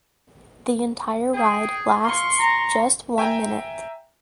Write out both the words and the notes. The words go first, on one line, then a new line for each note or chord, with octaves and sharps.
The entire ride lasts just one minute.
G#4 G5
F5 C6 C#6
A#5
E5 G5 G#5 A#5